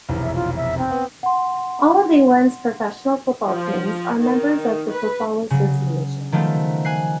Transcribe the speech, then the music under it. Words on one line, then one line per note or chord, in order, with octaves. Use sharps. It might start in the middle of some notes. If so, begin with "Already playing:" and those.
All of England's professional football teams are members of the Football Association.
F1 B1 E2
E5
F4
E5
C4
B3
F#5 C6
F3
D#3
B4
C#3 F#3
D#3 F3 F#3 A3 B3
G#5 F#6 C7